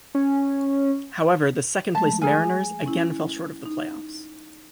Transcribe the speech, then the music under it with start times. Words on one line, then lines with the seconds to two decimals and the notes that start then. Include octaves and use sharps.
However, the second-place Mariners again fell short of the playoffs.
0.15 C#4
1.95 F3 G#3 A3 A5
2.22 G#4 G#5 A#5 F6
2.86 C#4 E4
3.66 D#4